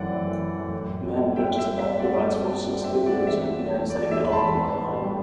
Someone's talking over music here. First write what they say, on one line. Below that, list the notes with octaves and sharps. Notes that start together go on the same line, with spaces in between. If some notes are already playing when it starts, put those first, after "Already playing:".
Mann purchased back the rights for "six figures", and began selling the album online.
Already playing: F#2 E3 A3 C4 D5 F#5
E3
E3
A3
F#2
A2
A2
C4
G3
C4 E5 G5
C4
E5
G3
E5
C4
A3 D5 F#5
G2
C4
A3
C4 D5 F#5
C4
E5
G2
D5 F#5
C4
E3 E5
A3
A3
E2
A3 D5
E3 E5
E2 B5
A5 C6
E2
B3
B3
A2
G3